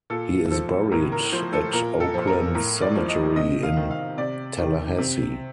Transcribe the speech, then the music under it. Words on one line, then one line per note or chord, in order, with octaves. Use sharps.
He is buried at Oakland Cemetery in Tallahassee.
A#2 A4
F3 A4
A2 A#4
A#4
F3 C5
A4
A#2 A#4
A4
F3
A#4
A2 A#4
D5
F3
D#5
C3 D#5
F5
D#3
F5
C3 D5
D#3
C3